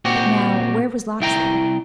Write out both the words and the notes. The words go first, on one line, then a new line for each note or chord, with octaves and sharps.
"But now, where was Locksley?"
A#2 C4 F#4 G4
C2 E4 G5 A#5